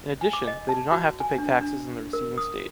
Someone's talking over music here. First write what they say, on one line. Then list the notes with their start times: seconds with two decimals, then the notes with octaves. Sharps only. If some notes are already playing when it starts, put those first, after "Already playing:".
In addition, they do not have to pay taxes in the receiving state.
0.21 G#5
0.33 D6
0.48 D#5
0.69 A5
0.92 F#4
1.20 G#5
1.38 D4
1.61 D4
2.13 A#4
2.38 D#6